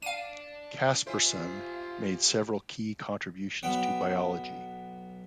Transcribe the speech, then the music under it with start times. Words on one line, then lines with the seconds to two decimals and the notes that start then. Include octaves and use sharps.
Caspersson made several key contributions to biology.
0.02 D4 F5 D#7
1.07 F4 G4 C5 E5 G#5
3.63 B1 B3 B4 G5